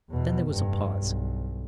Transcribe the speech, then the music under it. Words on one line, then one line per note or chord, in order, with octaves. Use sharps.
Then there was a pause.
E2 B2
F1 G2
B1